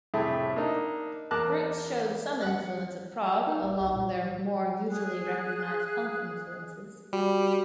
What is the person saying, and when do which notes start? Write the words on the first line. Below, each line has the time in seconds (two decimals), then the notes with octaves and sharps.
Groups showed some influence of prog along with their more usually recognised punk influences.
0.14 F2 A2 C3 A3 E4 G#4
0.56 A#3 D4 D#4
1.31 E2 A#3 A#4 A5 D6 F#6
2.42 F#5 F#6
3.47 D#4
3.62 D1
3.80 C2
3.96 A#2
4.90 G#4 F#6
7.13 G3 F#4